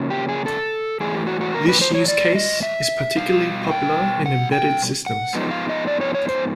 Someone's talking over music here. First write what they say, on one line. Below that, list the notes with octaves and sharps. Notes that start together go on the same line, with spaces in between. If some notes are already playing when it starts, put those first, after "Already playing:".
This use case is particularly popular in embedded systems.
Already playing: C#3 F3 A#3 C#4
G4
G#4
A4
G#2 E3 A3 G#4
G4
F#4
F#4
A#4
B4
C5
C#5
D5
D#5
E5
B2 G3 F5
G5
F#5
G5
F#5
G#2 F3 G#3 B3 D#4
F5
D#5
D5
C#5
C#5
C5